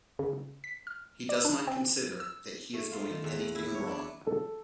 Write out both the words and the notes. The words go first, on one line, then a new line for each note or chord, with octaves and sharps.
He does not consider that he is doing anything wrong.
C#3
B6
F6
D5
D4
C4
E6
A3
F4
D#3
E2
E4
C#5
D4
A4